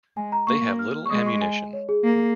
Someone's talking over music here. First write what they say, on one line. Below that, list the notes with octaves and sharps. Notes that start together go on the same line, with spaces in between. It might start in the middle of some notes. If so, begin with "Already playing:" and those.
They have little ammunition.
G#3 G#5
A#5
A#3 C#6
F6
C#6
G#3 D#6
C#6
G#5
C#5
G#4
A#3